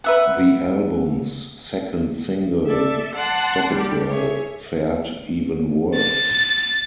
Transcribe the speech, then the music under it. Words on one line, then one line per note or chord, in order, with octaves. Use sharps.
The album's second single, "Stop It Girl", fared even worse.
B4 E5 F#5
A4 D5 E5
F#5 A5 C6 D6 F#6
G3 D4 G4
G#4 C#5 E5
A6